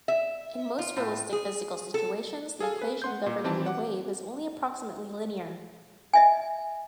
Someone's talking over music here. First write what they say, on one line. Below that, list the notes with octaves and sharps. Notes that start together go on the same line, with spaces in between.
In most realistic physical situations, the equation governing the wave is only approximately linear.
E5
F4
A2
G#4
A4
G#4 A4 F5 G#5
B4
F#5 C6 G6
A#2
D#3 E3 C4 G4 A5
F#5 D6
D#5 E5 G#5